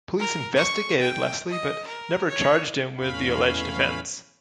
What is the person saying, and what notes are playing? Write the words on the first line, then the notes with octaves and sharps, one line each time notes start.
Police investigated Leslie but never charged him with the alleged offence.
A#4
C#6
G5
D#5
A#4
C#5
E2 A2 C#4 F5 B5